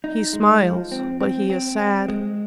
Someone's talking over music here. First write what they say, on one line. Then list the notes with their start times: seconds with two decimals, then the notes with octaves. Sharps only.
He smiles, but he is sad.
0.04 D#4
0.33 G#3
0.62 F3
0.92 C4
1.21 C4
1.50 C4
1.80 C4
2.08 G#3